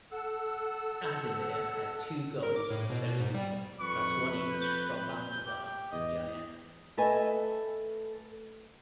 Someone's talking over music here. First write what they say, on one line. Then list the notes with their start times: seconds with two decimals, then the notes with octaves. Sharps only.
Ademir had two goals in total, plus one each from Baltasar and Jair.
0.12 A4 F#5 E6
2.43 A#4
2.56 D6
2.70 A2
2.90 B2
3.20 G#2
3.35 G3
3.80 F2 B4 C#6
4.51 G6
5.46 G4
5.91 E2 D#5
6.97 A3 A4 B4 D#5 G#5